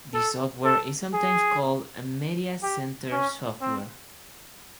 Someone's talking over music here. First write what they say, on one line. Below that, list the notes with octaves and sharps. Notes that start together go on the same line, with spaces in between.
The software is sometimes called "Media Center Software".
A4
A4
G#4
G4
C#4
C4